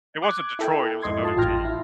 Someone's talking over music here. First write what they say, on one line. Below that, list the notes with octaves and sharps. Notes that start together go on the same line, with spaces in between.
It wasn't Detroit, it was another team.
D6 F#6 G#6
E4 A4 G5
F2 G#2 D#5 C6 G#6
F4 A5 C6
A1 F4 G5 F6 A#6
E4